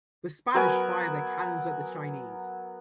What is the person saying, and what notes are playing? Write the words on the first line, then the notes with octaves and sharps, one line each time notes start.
The Spanish fire their cannons at the Chinese.
F#3 B3 A#4 G#5